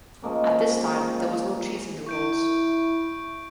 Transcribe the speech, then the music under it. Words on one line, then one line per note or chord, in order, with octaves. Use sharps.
At this time, there was no cheese in the rolls.
F3 G#3 A#3 C#4
E4 C#6 G6 D7